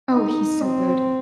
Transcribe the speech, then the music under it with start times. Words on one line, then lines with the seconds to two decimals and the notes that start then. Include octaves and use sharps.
Oh, he's so good.
0.12 D#4
0.62 C4